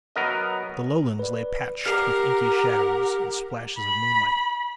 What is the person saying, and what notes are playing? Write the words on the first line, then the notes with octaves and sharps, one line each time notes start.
The Lowlands lay patched with inky shadows and splashes of moonlight.
F#3 B3 A#4 D#5
B4 D5
G4 A#4 F#5 F6 C7
B5